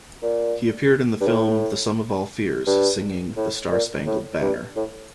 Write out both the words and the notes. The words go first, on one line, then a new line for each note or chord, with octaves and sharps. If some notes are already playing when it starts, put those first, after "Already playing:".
He appeared in the film "The Sum of All Fears" singing "The Star-Spangled Banner".
A#2
G2
A2
G2
A2
A#2
A2
G2
A2